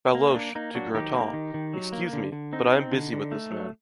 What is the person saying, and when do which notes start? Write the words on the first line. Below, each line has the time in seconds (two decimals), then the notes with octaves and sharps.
Baloche, to Gratin. — Excuse, me: but I am busy with this man.
0.15 A#3
0.35 A#3 D4
0.55 A#3 D#4
0.74 F#3 D4 F#4
0.94 D#3 D#4 G4
1.14 A#3
1.33 D#3
1.54 D#3
1.74 F#3
1.93 A#3
2.13 D3
2.32 D3
2.53 C4 D#4
2.72 C4
2.91 D3
3.12 D3
3.32 A3
3.51 F#3